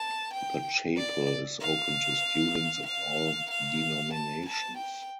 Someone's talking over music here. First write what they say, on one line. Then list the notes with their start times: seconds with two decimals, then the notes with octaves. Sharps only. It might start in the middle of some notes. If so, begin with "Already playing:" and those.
The chapel is open to students of all denominations.
Already playing: A5
0.34 G5
0.97 D5
1.61 F5
2.87 F5
3.51 F5
4.14 A5
4.46 A5
4.78 G5